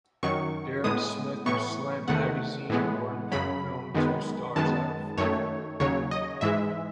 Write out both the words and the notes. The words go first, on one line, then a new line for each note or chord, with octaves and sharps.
Derek Smith of "Slant Magazine" awarded the film two stars out of four.
F#2 D#3 F#3 C#6
A2 G#3 B3 D#6
A2 E3 B3 C#6
E2 D#3 A3 F#5
A2 E3 G#3 B3
F#2 C#3 F#3 B5
F#2 D#3 G#3 B3
F#2 D#3 G#3 B3 A5
F#2 D#3 A3 C#5
D#2 C#3 F#3 C#5
D#5
G#2 E3 G#3 E5